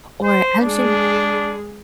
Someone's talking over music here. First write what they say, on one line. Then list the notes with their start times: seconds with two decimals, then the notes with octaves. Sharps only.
or actually
0.24 C5
0.62 G#3 D4 G#4